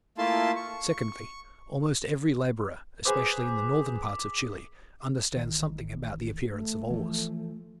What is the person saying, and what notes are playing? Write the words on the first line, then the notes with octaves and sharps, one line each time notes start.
Secondly, almost every labourer, especially in the northern parts of Chile, understands something about the appearance of ores.
A3 A#3 E4 F4 A5 C6
C#6
G#4 B4 C5 D6 D#6 B6
A1 D#3
A3
E3 F3